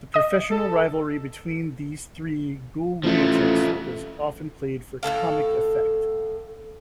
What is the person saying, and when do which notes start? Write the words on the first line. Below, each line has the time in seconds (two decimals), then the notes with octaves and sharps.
The professional rivalry between these three GhoulLunatics was often played for comic effect.
0.14 D#5 D#6
0.51 A4
3.04 A1 F3 A3
5.03 A2 B3 A4 F5